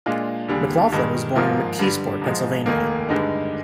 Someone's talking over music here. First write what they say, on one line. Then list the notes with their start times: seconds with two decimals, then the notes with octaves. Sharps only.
McLaughlin was born in McKeesport, Pennsylvania.
0.06 A#2 G#3 D4 F4
0.48 D#2 D3 G3 D4 G#4
0.92 G2 D#3 G#3
1.36 G#2 F3 A#3 F4
1.79 G2 D3 G3
2.22 G#2 F3 G#3
2.66 F1 D#2 D#3 A#3
3.09 G2 D3 G#3 D#4